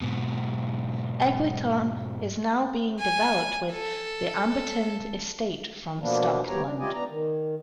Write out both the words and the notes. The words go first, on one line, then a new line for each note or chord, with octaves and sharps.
Eglinton is now being developed with the Amberton estate from Stockland.
G#2 B2
G#5
A4
B2 F3 A#3 B3 D4
G3 B3 G4 C#5 A#5
D4
E4 F4 G4 D5 D#5 G#5
B3 D4 A#5
D#3